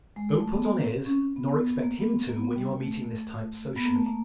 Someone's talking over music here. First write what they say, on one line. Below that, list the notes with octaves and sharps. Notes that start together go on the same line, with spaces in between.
Don't put on airs nor expect him to when you are meeting this type socially.
G#3
A3
B3
A#3
C4
C#4
C4
B3
B3
A#3
B3
C4
A#3
B3
C4
G3
A3
B3
A#3
A3
A#3